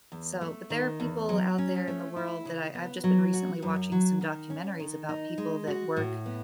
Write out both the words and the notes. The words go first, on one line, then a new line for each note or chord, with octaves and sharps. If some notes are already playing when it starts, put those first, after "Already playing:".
so But there are people out there in the world that I I've just been recently watching some documentaries about people that work,
E2
A3
D#3
E2
F#3
C#4
A3
E4
C#3
B3
F#3
F#4
F#2
F#3
D#3
C#4
D#3
D#4
G#3
F#4
A2
B3